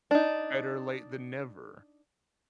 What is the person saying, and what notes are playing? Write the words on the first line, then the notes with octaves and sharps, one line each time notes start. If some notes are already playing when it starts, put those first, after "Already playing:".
Better late than never.
D4 D#4